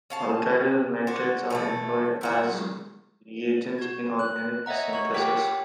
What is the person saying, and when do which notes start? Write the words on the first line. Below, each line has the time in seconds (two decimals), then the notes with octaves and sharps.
Alkyl nitrates are employed as reagents in organic synthesis.
0.10 C#4 F5 A5
1.07 D4 F#4 C5
1.50 B2 E3 A3
2.21 E4 F#4 E5
3.79 F#4 G#6
4.19 F#6
4.66 C#5 D#5 E5 F#5 A#5
4.93 C#5 C#6
5.14 G4 C#5 F#5 G5 D6 B6